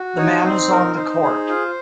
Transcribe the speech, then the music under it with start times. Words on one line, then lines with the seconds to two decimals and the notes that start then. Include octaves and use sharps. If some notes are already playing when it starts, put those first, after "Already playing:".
The man is on the Court.
Already playing: F#4
0.17 D#4 C#5
0.44 C4 C5
0.70 D#4 A#4
0.96 D#4 C5
1.22 G#4 C5
1.49 F4